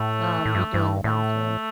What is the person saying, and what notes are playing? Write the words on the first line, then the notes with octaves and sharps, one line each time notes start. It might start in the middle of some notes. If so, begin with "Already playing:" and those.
um, redoing the bathroom
Already playing: A2 A3
A2
G2
G2
A2 A3